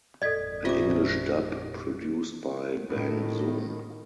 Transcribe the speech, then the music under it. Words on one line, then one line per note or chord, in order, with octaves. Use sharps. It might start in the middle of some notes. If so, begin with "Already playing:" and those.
An English dub produced by Bang Zoom!
G#1 F2 A#2 A4 D5 D#5 G#6 B6
C3 C#4 F4 D#5 D6
A2 D#3